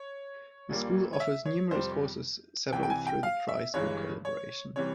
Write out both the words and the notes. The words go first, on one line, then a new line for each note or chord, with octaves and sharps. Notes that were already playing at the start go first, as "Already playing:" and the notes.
The school offers numerous courses, several through the tri-school collaboration.
Already playing: C#5
A#1 A#2 G3 A#3
C#5
E5
C#5
F2 C3 G3 C5
C2 C3 E3 G5
G5
G#5
G5
F5
E5
G1 G2 E3 G#3 C#5
C#5
C3 E3 G3 C#5